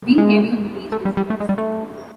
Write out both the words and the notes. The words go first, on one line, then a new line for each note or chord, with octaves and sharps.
Being heavy on the beach is worse.
G#3
A3
G3
G3
A3
G#3
G3
A3